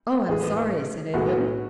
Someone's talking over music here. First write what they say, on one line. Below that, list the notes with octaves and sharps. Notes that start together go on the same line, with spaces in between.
"Oh! I'm sorry," said Edwin.
A1 A2 G#3 B3 G#4
B1 A2 G#3 B3 F#4